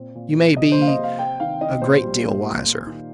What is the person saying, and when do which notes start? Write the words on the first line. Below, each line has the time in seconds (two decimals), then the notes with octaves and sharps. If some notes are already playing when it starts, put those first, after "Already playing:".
"You may be--a great deal wiser."
Already playing: A#2 C4
0.15 A#2
0.36 F3
0.56 C3 D#5
0.72 C5
0.78 A#3 F5
0.88 D#5
0.99 C3
1.04 F5
1.19 C4 G5
1.40 D#3 F5
1.61 D#3 D#5
1.82 A#2 C5
2.03 G3
2.24 A#2
2.45 A#3
2.66 A#3
2.87 D#3